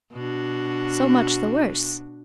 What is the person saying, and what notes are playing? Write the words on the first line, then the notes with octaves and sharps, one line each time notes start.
So much the worse!
B2 D4 F#4